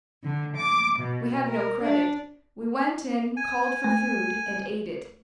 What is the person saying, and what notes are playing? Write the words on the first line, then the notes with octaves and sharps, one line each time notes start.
We had no credit; we went in, called for food and ate it.
D3
D6
B2
A#4
D4
G#5
A3